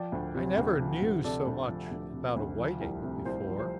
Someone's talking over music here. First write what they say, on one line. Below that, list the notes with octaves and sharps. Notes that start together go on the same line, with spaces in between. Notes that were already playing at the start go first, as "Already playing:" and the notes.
I never knew so much about a whiting before.'
Already playing: F3 D5 G5
D2
C3
D2
F3
D2
C3 A4 D5
D2
F3
D2
C3
D2
F3
C2
C3
C2 C5
F3
C5